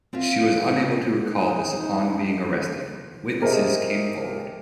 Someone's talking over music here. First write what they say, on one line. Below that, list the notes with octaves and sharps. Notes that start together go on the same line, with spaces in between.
She was unable to recall this upon being arrested, but witnesses came forward.
C4 F4 E5 F5
D#4
G4 G#4 A#4 C5 D#5 E5